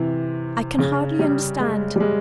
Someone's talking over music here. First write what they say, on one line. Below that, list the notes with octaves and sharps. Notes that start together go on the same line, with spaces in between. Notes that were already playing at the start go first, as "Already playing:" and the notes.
I can hardly understand.
Already playing: C3 E3
C#3
G3
G#3
G3
G#3